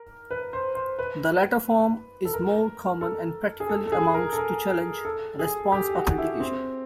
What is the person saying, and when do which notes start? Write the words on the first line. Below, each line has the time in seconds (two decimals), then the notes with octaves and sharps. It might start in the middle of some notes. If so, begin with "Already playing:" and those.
The latter form is more common and practically amounts to challenge-response authentication.
Already playing: A#4
0.31 B4
0.53 C5
0.75 C5
0.99 B4
2.25 A4
2.33 A#4
3.01 A4
3.60 G#4
3.69 A4
3.87 A4
3.92 G#4
4.14 A#4
4.33 A4
4.38 A#4
5.05 A4
5.39 G#4
5.72 G4
5.95 F#4
6.18 E4
6.40 C4